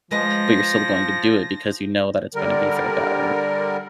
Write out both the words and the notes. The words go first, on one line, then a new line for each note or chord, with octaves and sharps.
but you're still going to do it because you know that it's gonna be for the better.
F3 G#3 B4 D#5 A#6
D3 G3 A#4